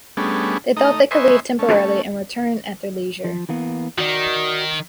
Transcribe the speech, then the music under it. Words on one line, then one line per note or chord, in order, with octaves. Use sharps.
They thought they could leave temporarily and return at their leisure.
G3 A3 B3 C#4 D4 G#4
A3 D#4 D#5 A#5
B4 C5 D#5 E5 G#5 C#6
A3 C#4
F3
E3 A#3 B3
D#3 F#4 D5